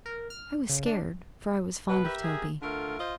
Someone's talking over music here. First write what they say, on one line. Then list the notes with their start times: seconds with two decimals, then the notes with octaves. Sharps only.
I was scared, for I was fond of Toby.
0.06 A#4
0.30 F6
0.69 C#3
0.86 D4
1.89 B2 B4
2.05 G4 A#4 E5
2.23 G#4
2.62 D3 A3 F4 A#4
2.99 F4 C5 D#5